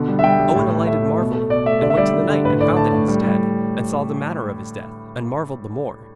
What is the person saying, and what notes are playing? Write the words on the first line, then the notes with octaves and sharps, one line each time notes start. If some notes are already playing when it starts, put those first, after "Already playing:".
Owen alighted marvelling, and went to the knight and found that he was dead, and saw the manner of his death, and marvelled the more.
Already playing: B2 D3
G3
E5
G3 G5
G3
A2
A3
A3 E5
A3
B2
A3
B2 D5
A3 E5
D3 D5
E5
G3 D5
G3
D3
A2 B4
A2 D5
A2 A5
A2
G3
G3